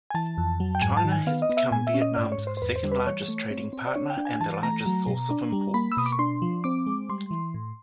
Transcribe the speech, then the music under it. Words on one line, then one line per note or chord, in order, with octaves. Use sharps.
China has become Vietnam's second-largest trading partner and the largest source of imports.
G#5
E3 A5
F2
F#3
G5
G#2 G#5
A5
D#3
G#5
B3 F5
D#5
B3
E5
A#2 G#5
E5
C#4
D#5
G#2 D5
C#5
G#2
C5
C5
E2 B4
C5
G3
B4
E3 C#5
A3
C4
C4
D5
D4 C#5
G5
D4
G#5
E3 A5
A3 A#5
F#3
B2
D4
G3
A#3 B5
E6
B2 D#6
D6
C#6
D4 C6
F3
C4 D6
G#3
G3 C6
E3
A2